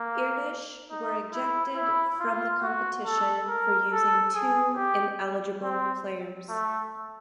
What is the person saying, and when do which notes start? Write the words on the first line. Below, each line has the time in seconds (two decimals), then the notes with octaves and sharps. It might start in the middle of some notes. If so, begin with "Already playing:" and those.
Irtysh were ejected from the competition for using two ineligible players.
Already playing: A#3
0.90 D#4
1.33 E4
1.76 E4
2.20 F4
2.62 F#4
3.05 A4
3.48 A#4
3.91 A4
4.34 G#4
4.77 G4
5.62 C4
6.49 A3